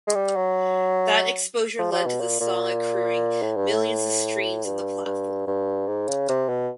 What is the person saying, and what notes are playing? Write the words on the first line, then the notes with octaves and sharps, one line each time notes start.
That exposure led to the song accruing millions of streams on the platform.
G#3
G3
F#3
F3
F3
B2
A#2
A#2
A2
G2
A2
G2
G2
G2
G#2
C#3
C3
B2